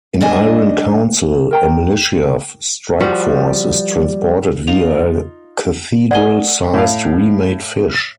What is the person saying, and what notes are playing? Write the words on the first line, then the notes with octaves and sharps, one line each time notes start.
In "Iron Council", a militia strike force is transported via a cathedral-sized Remade fish.
G3 D4 D#5 G#5
A#4 G5 A#5
F3 G3 F#4
D#4 F4 F7
G#4 A#4 D5 F#5 G#5 G7
A2 F5